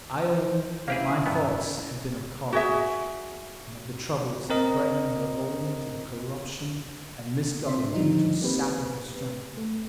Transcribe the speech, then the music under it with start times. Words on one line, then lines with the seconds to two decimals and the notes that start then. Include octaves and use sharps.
"I own that my thoughts have been of Carthage, and of the troubles that threaten her owing to the corruption and misgovernment which are sapping her strength."
0.21 C5
0.88 A#3 C#4 E4 G4 G#4 F5
1.26 G2 D#3 B3
2.53 F#4 G#4 E5
4.50 C4 A#4 D#5
7.65 C4 D4 E5 C6 B6
7.94 D3 D#3 F3 G3 D#4
8.41 A#3 C4 G4 B4
9.57 A3